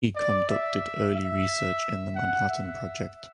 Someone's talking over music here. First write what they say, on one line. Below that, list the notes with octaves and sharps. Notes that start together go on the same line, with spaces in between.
He conducted early research in the Manhattan Project.
D5
E5
E5
F#5
E5